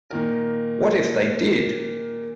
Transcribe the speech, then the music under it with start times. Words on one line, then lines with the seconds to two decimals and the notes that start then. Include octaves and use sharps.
What if they did!
0.11 A#2 D#3 A#4